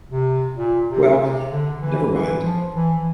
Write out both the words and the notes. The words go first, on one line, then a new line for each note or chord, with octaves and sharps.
Well, never mind.
C3
A#2
C3
C3
D3
E3
E3
F3
E3